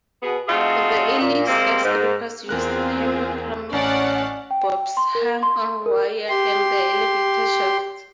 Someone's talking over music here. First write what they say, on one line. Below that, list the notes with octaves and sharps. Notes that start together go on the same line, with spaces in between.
The early skyscrapers used heavy plumb-bobs, hung on wire in their elevator shafts.
B2 B3 G#4
A3 C4 D#4 F4 F#4 G#4
A#2
C3 G3 G#3 A#3 C4
G#2
E2 C4 F4 G#4 A#4 F#6
A1 C#4 D5 F#5
G5
C6
A#4
C6
A#4
G4 C6